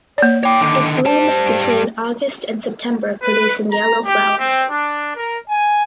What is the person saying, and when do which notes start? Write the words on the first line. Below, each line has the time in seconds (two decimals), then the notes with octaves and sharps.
It blooms between August and September producing yellow flowers.
0.18 A#3 C#5 D5
0.43 C#5 G5 D6
0.60 D3 D#3
1.05 G3 C5 A5
3.22 B4
3.71 A#5
4.05 G4
4.38 C4
4.70 D4
5.15 A#4
5.48 G#5